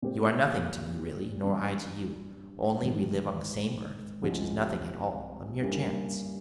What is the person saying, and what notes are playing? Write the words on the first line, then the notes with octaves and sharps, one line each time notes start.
You are nothing to me, really, nor I to you, only we live on the same earth, which is nothing at all--a mere chance.
A#2 G#3 C4 G4
G2 E3 G3 C#4
G#1 G#2 E3 G3
C2 C3 F3 G#3 C#4
G2 G3 A#3 C#4 E4